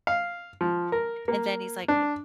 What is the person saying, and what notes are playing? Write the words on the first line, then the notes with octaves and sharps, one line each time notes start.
And then he's like eh
F5
F3
A#4
A#3
D4